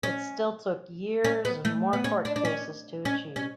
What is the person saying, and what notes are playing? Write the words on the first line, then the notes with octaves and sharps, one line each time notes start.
It still took years and more court cases to achieve.
C#4
C#4
B3
A3
B3
C#4
D4
D4
C#4
C#4
C#4